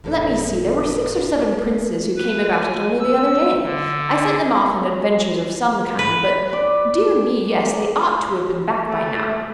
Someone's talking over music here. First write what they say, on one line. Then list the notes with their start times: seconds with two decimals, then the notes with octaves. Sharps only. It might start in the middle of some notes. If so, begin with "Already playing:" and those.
Let me see, there were six or seven Princes who came about it only the other day. I sent them off on adventures of some kind, but--dear me, yes, they ought to have been back by now.
0.04 F#1 E2 A2 A4
2.17 B4
2.51 G#5
3.00 E6
3.63 D3
5.99 B4
6.53 D5
8.88 A3